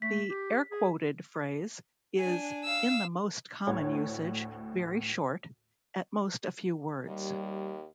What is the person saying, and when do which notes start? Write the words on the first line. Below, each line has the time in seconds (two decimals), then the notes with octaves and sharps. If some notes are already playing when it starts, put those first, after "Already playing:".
The air-quoted phrase is-in the most common usage-very short, at most a few words.
0.02 A3 B6
0.29 G4
0.71 G#4
2.20 D4 G#5
2.64 F5 E6
3.67 D2 A2 C#5 F#5
7.07 D#2 G3